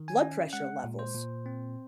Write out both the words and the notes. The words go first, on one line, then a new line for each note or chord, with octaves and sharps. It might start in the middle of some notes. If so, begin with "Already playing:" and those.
blood pressure levels,
Already playing: D#3
G#5
C#4
G#3 F#5
A#2
C5
A#2
C4